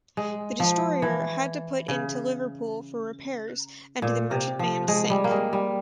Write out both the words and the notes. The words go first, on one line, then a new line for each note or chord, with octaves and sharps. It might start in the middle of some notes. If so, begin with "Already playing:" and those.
The destroyer had to put into Liverpool for repairs and the merchantman sank.
G#3
F3
E3
C#3
A#2
C3
F3
G#3
G3
A#3
G#3
G3